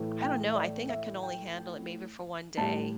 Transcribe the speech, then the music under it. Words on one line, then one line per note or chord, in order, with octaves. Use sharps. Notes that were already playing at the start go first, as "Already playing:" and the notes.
I don't know. I think I can only handle it maybe for one day.
Already playing: A2 E3 A3
G5
E5
D5
E5
G5
A2 G3 A5